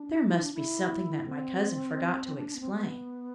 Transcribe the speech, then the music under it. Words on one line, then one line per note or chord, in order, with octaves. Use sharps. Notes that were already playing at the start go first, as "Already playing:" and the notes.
There must be something that my cousin forgot to explain.
Already playing: D4
E4
D4
E4
C4
C4
D4
D4
B3
C4
B3